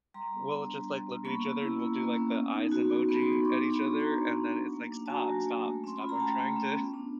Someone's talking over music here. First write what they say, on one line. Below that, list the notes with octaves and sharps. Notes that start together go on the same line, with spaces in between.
We'll just, like look at each other, and we'll do like, the eyes emoji at each other, and then it's like, "Stop, stop, stop. I'm trying to"
G3 A#5 C6
B3
D4
G3
G3
B3
A#3 B5 C#6
C#4
E4
A#3
A#3
C#4
B3
D#4
F#4
B3
B3 B5
C6
D#4
C#6
B3 C6 D6
D4
B5 C#6
F#4
B3 A#5 C6
B3
D4
F#3
A#3
D4
A5
F#4 G#5 A#5
F#3
A#3
A3
C#4 C6
F4 B5
A#5
A3 G5 A5
A3
C#4
B3
D4